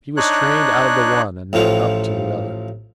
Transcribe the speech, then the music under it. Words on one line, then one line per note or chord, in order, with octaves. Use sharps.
He was trained out of the one and not up to the other.
D4 D#4 C#5 F#6
A1 A2 F3 F4